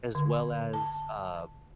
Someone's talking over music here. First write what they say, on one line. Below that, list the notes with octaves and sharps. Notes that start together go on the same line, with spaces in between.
as well as, uh,
D3
A5